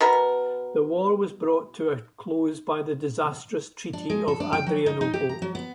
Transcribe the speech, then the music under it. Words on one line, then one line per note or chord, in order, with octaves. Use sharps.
The war was brought to a close by the disastrous Treaty of Adrianople.
B2 B3 A#4
D4
G#3
A4
D4
G5
F#3
D#4
D#4
G4
A#5
F#3
B3